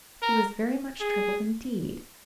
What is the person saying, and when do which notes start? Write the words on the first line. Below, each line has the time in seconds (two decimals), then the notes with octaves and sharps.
He was very much troubled, indeed.
0.22 A#4
1.00 G#4